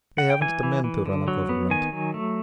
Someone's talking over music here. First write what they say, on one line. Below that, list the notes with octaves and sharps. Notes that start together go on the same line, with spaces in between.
They haven't the men to run a government.
F#5
G5
E3 G#5
E3
E3
D3
F#3
B3
D#3 G#5
F#3
A3